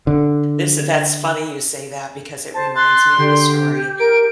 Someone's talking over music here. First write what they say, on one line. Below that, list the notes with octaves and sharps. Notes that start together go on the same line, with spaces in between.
Listen, that's funny you say that because it reminds me of the story.
D3
C5 A5
C6 F#6 A6
D3 G4
A#4 D7